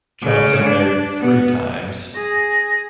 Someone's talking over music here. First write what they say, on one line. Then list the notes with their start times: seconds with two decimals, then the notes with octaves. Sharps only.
Johnson married three times.
0.24 C#3
0.65 D4
1.21 B3
2.15 G#4 A#6